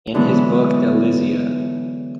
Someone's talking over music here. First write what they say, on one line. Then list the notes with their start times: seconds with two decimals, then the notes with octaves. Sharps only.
In his book Delizia!
0.14 D3 E3 F#3 G#3 B3